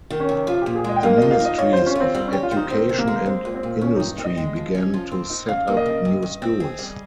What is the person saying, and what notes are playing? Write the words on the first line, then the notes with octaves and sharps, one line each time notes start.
The Ministries of Education and Industry began to set up new schools.
D#3
C#4
C3
F3 F4
A#2 G4
G#4
G#3 D#5
G5
A#3 F5
F3 D#5
F5
D#4 D#5
F4 C#5
F4 C5
C#4
C4 F4
G3 C4
C#4 G4
F4
C5
D#4
D#3 C4
C3
A#3
G#3
G#3 C4
A#2
C4
A#2
F3 C#4
G2 D#4
C4
D#5
G#3
F3
C#4
F3
C4
D#4
C#3 F5
A#3
D#5
C#3
G2
G2
C4
G#4
G3